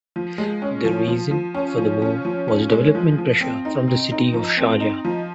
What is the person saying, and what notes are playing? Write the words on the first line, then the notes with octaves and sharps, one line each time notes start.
The reason for the move was development pressure from the city of Sharjah.
F3
G#3
C#4
F3
F3
F3
C#4
F3
C#4
F3
C#4
G#3
F3
F3
C4
D#4
C4
D#4
F3
C4
D#4
F3